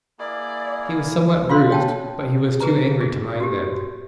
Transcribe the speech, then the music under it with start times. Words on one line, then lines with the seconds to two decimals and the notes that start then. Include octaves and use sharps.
He was somewhat bruised, but he was too angry to mind that.
0.19 A#3 E4 G#4 D5
1.50 F4 F5 C6
1.70 C#5 G5 A5
2.60 G#4 B4 A#5
3.01 G#4
3.40 F#4 G4